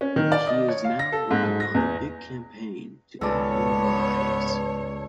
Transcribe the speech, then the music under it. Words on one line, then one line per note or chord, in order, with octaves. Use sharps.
He is now working on a big campaign to add more lies.
C#4
D#3
D5
D#5
C#5
F5
A#6
A4
G#2
G#2
A#6
E2
C#2 G#2 B3 A4 C#5 D5